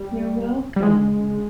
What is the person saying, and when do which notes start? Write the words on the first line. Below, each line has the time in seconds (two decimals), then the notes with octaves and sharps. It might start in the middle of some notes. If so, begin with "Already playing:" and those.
You're welcome.
Already playing: G3
0.76 G3
0.83 G#3